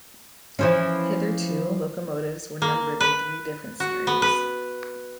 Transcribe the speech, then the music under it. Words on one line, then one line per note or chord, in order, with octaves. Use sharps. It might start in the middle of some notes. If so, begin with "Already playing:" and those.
Hitherto, locomotives were numbered in three different series.
E3 F3 C#4
A#3
B4
F#4
B3
B4